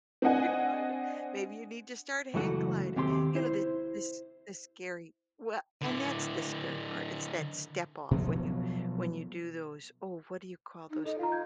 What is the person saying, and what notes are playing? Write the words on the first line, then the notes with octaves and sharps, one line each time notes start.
I wonder. Maybe you need to start hang gliding. You know, the this this scary we and that's the scary part. It's that step off when you when you do those oh, what do you call those
C4 D4 D#5 F#5 G#5
C#2 F#2 E3 A3 F#4 F#5
D#2 C3 G4 C6
E4 C5
D3 E4
B2 F3 F#3 A3
D#4
A4 D#5
F4 F5 A#5
G6 G#6